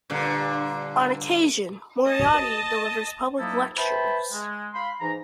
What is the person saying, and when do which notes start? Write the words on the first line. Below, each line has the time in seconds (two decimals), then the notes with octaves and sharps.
On occasion, Moriarty delivers public lectures.
0.10 G2 A#2 D3
2.08 D#5 A5
3.40 F3 F#3 A#3 D#4 E4 A4
3.77 B4 C5 E5 G5 A5 B5
4.33 G#3
4.74 F5 B5 C6
5.00 G#2 E3 D#4 A#5